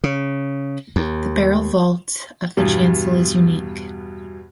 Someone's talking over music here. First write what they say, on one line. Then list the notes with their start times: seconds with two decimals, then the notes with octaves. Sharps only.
The barrel vault of the chancel is unique.
0.04 C#3
0.96 D#2
2.57 E2 G2 B2